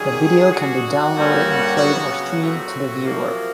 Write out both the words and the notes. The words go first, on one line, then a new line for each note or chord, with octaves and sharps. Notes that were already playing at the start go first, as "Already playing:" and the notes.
The video can be downloaded and played or streamed to the viewer.
Already playing: F#2 D#3 G3 G#4
F#2 D3 G3 F#4
G2 D3 G3 A#3 C#4
C#3 F#3 B3 F#4
F#4
A#2 F#3 A3 C4
C3 F3 A#3